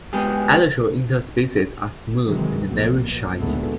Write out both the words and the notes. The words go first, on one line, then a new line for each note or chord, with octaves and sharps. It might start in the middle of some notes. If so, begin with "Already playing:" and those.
Elytral interspaces are smooth and very shiny.
G#3 B3 G4 G#4
C3 D#3 E3 F#3 G#3
A#1 C3 A#3
B2
D2 A#2 D#3 G#3 A3 B3